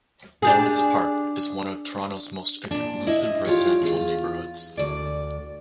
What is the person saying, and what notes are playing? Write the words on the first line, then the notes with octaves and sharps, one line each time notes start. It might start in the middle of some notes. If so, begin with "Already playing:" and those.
Lawrence Park is one of Toronto's most exclusive residential neighborhoods.
D4 G4 G#4
A#2 D4
E4 D#5
F4 G4 C#5
E2 F4
D2 D5